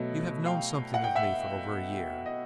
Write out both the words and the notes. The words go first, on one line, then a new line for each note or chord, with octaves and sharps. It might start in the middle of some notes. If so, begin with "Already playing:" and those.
You have known something of me for over a year.
Already playing: B2 F#3 A3
F5 G5
F#5
G5
E5 F#5
D#5